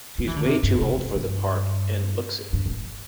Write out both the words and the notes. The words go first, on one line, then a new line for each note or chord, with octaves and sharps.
She’s way too old for the part and looks it.
G3
E3
D3
C3
G2
C3
C3
G2
G2
G2
A2